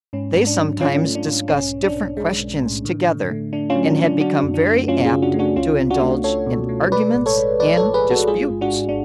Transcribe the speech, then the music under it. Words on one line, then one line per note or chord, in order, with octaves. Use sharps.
They sometimes discussed different questions together, and had become very apt to indulge in arguments and disputes.
G#2 C#4
G#2
D4
F#3
G#2 C#4 F4
A3
D4
G#2
B1 C#4
B1
D4
B1
G#3
B1
A2
D3
D3
A3
A3 D4
C#4 F4
F#3
D4
D3
D4
F#3 D4 F#4
F#2
D4
A3
F#2 C#4 F4
F4 G#4
C#3
D4 F#4
A3
D4 F#4
C#2 C#4 F4
C#2
D4 F#4
A3
A3 A4 C#5
B2
A3
G#3 B4 D5
A1
A4 C#5
G#3
F3 B4 D5
A4 C#5
A1
G#4 B4
A1
F#4 A4
G#3 F4 G#4
G#2
D4 F#4
G#1
D4